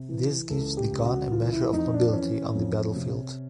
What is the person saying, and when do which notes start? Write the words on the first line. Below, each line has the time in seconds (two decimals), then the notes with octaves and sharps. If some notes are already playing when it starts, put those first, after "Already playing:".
This gives the gun a measure of mobility on the battlefield.
Already playing: C3
0.09 E3
0.50 C#2 A4
0.77 G4
0.91 C#2
1.05 F#4
1.31 E3 F4
1.52 E4
1.73 F2 D#4
1.94 D4
2.13 E3 C#4
2.55 F2
2.96 C3